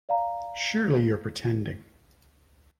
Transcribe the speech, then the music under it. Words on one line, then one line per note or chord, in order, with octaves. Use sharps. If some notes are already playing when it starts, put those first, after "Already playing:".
Surely you’re pretending.
D5 F5 A#5